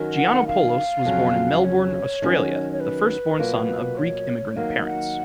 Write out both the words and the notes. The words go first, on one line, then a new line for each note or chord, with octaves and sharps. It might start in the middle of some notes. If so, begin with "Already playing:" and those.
Giannopoulos was born in Melbourne, Australia, the first-born son of Greek immigrant parents.
Already playing: D#3 F#3 C#4 F#4 A#4
F#5
F5
F2 C#3 F#3
C#5
D#3 F#3 C#4
C#5
B4
B2 F#3 A#3 F4 A#4
C#5
D#3 F#3 A#3 D#4 F5
F#5